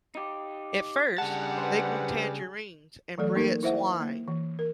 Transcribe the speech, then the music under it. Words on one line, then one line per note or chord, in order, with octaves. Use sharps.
At first, they grew tangerines and bred swine.
D#4 G4
C#3 G3 D4 G#4 F#5 A5
B4 C5
E3 F#3 A3 A4 D5
A#3 D#4 A#4
E4 C5 E5 F#5
A#3
E3
A#4